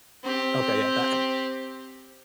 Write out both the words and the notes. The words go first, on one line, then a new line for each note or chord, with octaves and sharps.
Okay, yeah, that
C4 G4